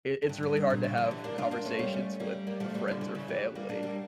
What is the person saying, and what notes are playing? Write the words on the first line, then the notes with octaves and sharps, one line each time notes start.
it it's really hard to have conversations with friends or family
F2
G2
G2
G2
A#2
C#3 E3
D3 F3
E3 G3
A#3 D4
D4 F4
A#3 D4
A3 C#4
G3 A#3
A3 C#4
G3 A#3
G3 A#3
F3 A3
E3 G3
D3 F3
C#3 E3
C#3 E3
E3 G3
G3 A#3
A#3 D4
G3 A#3